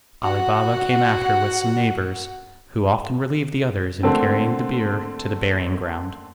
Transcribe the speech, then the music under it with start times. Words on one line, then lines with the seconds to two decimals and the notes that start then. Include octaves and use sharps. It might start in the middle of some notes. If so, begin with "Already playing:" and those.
Ali Baba came after with some neighbors, who often relieved the others in carrying the bier to the burying ground.
0.23 F#4 F#5
4.03 D3 A3 A#3 C4